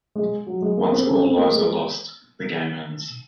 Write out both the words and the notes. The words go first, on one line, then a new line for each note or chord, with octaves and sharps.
Once all lives are lost the game ends.
G#3
F#3
G#3
A#3
C4
C#4
C4
A#3
G#3